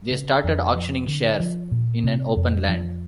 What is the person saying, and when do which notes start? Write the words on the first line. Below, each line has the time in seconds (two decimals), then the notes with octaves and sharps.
They started auctioning shares in an open land.
0.11 C#3
0.44 F2
0.75 F3
1.08 D3
1.40 F3
1.72 A#2
2.04 C3
2.36 F2
2.69 F3